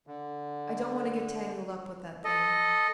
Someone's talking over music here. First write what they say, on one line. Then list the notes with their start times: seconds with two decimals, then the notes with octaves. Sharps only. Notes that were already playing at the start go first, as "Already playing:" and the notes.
"I don't want to get tangled up with that thing."
0.07 D3
2.24 A4 D#5